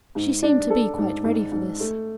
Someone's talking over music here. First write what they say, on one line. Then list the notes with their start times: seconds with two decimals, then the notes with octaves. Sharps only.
She seemed to be quite ready for this.
0.15 G#2
0.43 D4
0.70 A4
0.98 G#2
1.24 G#2
1.52 G#2
1.80 A3